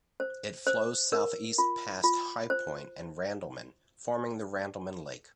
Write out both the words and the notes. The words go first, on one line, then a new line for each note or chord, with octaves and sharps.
It flows southeast past High Point and Randleman, forming the Randleman Lake.
C5
C5
A#4
F4
F4
C5